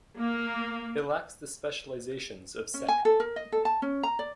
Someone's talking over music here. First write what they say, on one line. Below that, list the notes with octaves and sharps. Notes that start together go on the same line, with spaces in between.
It lacks the specializations of sect.
A#3
C#4
G#5
A4
A#4
D#5
A4
A5
C#4
A#5
D5